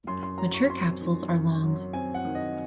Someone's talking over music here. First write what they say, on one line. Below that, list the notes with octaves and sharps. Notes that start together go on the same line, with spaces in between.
Mature capsules are long.
F#2 C6
C6
F#3 A#5
C#6
C4 C6
D#3
F#2
F#3
C4 G#5
F#5
D#3
D#5